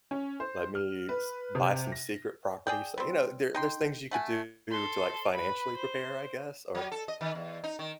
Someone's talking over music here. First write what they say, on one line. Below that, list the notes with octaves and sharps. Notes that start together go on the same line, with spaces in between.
let me s buy some secret properties, l you know, there there's things you could do to, like, financially prepare, I guess? Or,
C#4
C5
F6
B4
C3
A#6
G#4 D5 G5
G3 C4
D#4 G5 C6
A3 F#5 G#5
A4 C6
B4 B5
C5
F#3
A4
D#5
D#3
E2
D#4
D#3